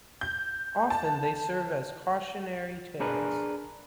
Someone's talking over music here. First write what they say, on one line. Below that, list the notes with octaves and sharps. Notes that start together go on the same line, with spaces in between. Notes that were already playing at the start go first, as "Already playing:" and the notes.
Often they serve as cautionary tales.
G6
A5
D4 G#4 A#4 B4